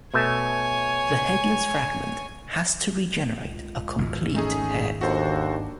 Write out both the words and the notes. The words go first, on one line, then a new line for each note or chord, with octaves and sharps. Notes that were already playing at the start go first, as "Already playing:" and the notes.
The headless fragment has to regenerate a complete head.
B2 A3 C#5 G#5 A5
C#2
G#1 E2
A3 C#4 D#4 G#4
D#2 D4 F#4 A4 C5